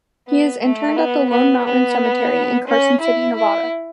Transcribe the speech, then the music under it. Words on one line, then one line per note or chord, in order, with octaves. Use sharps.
He is interred at the Lone Mountain Cemetery in Carson City, Nevada.
B3
A3
B3
B3
B3
C#4
E4
E4